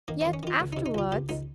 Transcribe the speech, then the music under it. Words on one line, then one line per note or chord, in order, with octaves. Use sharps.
Yet afterwards--?
D#3 A#3
C4
D#3
C#4
D#3 F4
C#2
D#4
C3
D#4
C#2 F4
C#2 G4
C#2 D#4